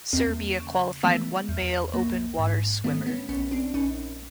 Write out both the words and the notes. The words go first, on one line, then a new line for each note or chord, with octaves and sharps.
Serbia qualified one male open water swimmer.
E2 A#3 C4
C#3
E3 A3 B3
E2
A#1 A#3
G#2
D#3 A3 B3
B3 C#4
A#1 B3 C#4
C4 D4
A#1 C#4 D#4